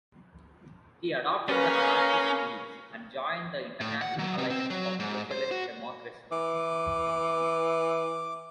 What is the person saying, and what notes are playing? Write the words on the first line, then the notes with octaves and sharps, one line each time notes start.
He adopted the anarchist these and joined the International Alliance of Socialist Democracy.
C#3 A#3 C#4 B4 C#5 A#5
A2
F#5
F#3
C3
C4
F#3
G#2
C5
F#4
E3 D6